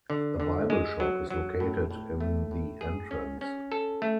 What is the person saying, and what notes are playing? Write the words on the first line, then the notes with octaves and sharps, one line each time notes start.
A bible shop is located in the entrance.
D3
D3
G#3
F#3
F#3
A2
A2
A3
A2
G#4
C#4
C#4
A4
A3